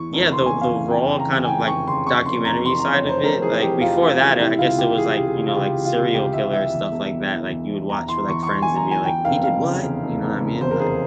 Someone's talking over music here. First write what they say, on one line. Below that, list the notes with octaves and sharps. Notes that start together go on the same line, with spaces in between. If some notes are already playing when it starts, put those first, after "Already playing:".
Yeah, the the raw kind of, like, documentary side of it, like, before that, I I guess it was, like, you know, like, serial killer stuff like that, like, you would watch with, like, friends and being like, w “He did what?” you know what I mean?
Already playing: E2 E3 C#6
F1
C#3 C6
G#5
E2
F5
E3
F1 G5
C#3
A#5
E2
G#5
E3 G5
F1 C#6
C#3 C6
F2 C#6
F1 C6
F1 A#5
E3 C6
A#5
F2
C#5
F1
C5
F1 A#4
E3 G#4
F2 G4
F1 F4
F1
E3
C3 E4
C#2 F4
C#2 G4
E3 G#4
C3
G#4
C#2
F4
C#2 G4
E3
F4
C3
C#2 G4
C#2 E5
E3 E5
E2
E1
E1
E3
E2
E1
E1 A#5
E3 C6
E2 C#6
C#6
E1 C6
E1 G#5
A#5
E3
G#5
E2 G5
F1 F5
F1 F5
C#3
E2
F1
F1
C#3
E2 C5
A#4
F1 G#4